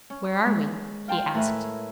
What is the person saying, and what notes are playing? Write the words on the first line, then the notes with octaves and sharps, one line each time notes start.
'Where are we?' he asked.
C#4
G#3
F5 G5 A5 C6
A2 A3 A#4 B4 E5 G#5